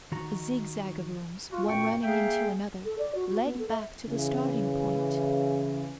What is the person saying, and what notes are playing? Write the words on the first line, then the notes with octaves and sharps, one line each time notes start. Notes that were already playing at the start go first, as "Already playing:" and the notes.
A zigzag of rooms, one running into another, led back to the starting-point.
D#3 F#4 A#5
F4 F#4
F#2 A#2 F#4 G5 C#6
A#3 G#4 E5 F5 G5
A4
D5
F#4
F#4
B3
A4
E5
C#3 E3